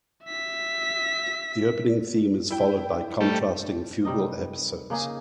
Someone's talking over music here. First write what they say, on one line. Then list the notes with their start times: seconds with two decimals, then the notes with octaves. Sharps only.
The opening theme is followed by contrasting fugal episodes.
0.24 E5 B6
2.50 E4 G5
3.20 G3 A3
4.05 C3 G3 D#4 D#5
4.90 C#3 A#3 D#4 G#4